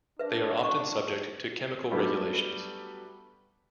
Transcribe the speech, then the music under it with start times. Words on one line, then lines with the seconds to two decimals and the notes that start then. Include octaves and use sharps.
They are often subject to chemical regulations.
0.19 D4 B4 E5
0.64 C#6
1.91 F#3 G3 A3 B3 D4 G4